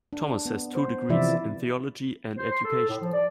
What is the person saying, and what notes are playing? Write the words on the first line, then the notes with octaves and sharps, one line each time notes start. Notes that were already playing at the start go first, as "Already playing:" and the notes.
Thomas has two degrees, in theology and education.
D4
B3
C5
C3 E3 F3 E4 D5 E5
C5
C6
A4
A2
F3
D5